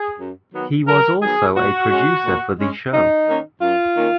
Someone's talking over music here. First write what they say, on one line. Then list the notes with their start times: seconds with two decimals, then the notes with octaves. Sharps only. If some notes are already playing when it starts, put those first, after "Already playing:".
He was also a producer for the show.
Already playing: G#4
0.20 F#2
0.54 D#3 F#3 B3
0.88 F#2 A#4
1.22 D#3 F#3 B3 G#4
1.57 A#2 F#4
1.91 G#3 C#4
2.25 A#2
2.59 G#3 C#4
2.93 F#2 D#4
3.27 D#3 A#3 C#4
3.62 F#2 F4
3.96 D#3 A#3 C#4